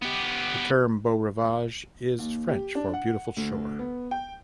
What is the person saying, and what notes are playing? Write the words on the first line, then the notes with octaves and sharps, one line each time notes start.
The term 'Beau Rivage' is French for 'beautiful shore'.
B3 G4
D#2
G4
D4
F#5
D2
B3
G5